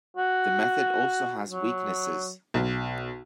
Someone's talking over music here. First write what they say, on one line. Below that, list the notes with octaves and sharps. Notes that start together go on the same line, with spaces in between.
The method also has weaknesses.
F#4
F#3
B1